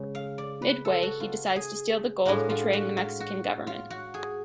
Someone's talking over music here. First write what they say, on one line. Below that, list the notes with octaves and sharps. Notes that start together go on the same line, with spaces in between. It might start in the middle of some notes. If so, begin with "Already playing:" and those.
Midway, he decides to steal the gold, betraying the Mexican government.
Already playing: C#3 G#3 C#4
F5
D5
B4
A4
F#4
F4
G#4
A2 G#3 D4 F4 F#4
F4
F#4
F4
F#4
F4
F#4
G#4